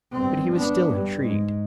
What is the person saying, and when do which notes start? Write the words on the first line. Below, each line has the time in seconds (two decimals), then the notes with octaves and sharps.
But he was still intrigued.
0.12 G1 C4
0.53 B3 D4
0.88 G2
1.22 G#2